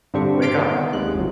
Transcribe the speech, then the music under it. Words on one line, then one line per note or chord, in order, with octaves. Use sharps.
Wake up!
G2 D3 C4 D4 G4 C#6
C6 D6 F6 A6 B6 D7
D#3 B3
D#2 C3 G#3 F#6
G1 F#3